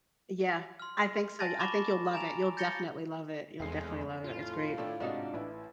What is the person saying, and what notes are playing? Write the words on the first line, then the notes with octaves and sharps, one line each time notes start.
yeah, I think so, I think you'll love it, you'll definitely love it, you'll definitely love it, it's great.
C6 F6
G#5 A5 A6 A#6
A5 B5 C#6 D6 E7
G#5 A#5 D7 F7
G6 A6 A#6 C#7 G7
F1 E2 G#3 C7
A2 F4
A3 D4 E4 G4
G#2 C3 D4 D#4 F#4 C#5
A1 E4 B4